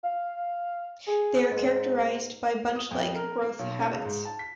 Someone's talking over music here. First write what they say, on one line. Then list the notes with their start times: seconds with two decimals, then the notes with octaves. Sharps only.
They are characterized by bunch-like growth habits.
0.03 F5
1.07 G#4
1.51 G#2
2.76 D#6
2.91 F2
3.15 A#4
3.42 A#3
3.59 B1
3.79 C#4
3.93 C#2
4.05 G#2
4.25 A5
4.39 B6